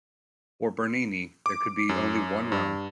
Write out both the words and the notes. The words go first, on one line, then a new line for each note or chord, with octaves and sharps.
For Bernini there could be only one Rome.
D6
F#2
G2